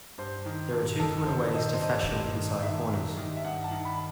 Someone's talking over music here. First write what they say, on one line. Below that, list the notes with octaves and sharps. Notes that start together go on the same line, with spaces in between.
There are two common ways to fashion inside corners.
G2 C5
D#3
G2
D#3 A4
D#3 C5
D#3 D#5
C5
G2 D#5
G2
D#3
D#3 E5
D#3
D#3
E5
G2 F#5
A5
D#3
B5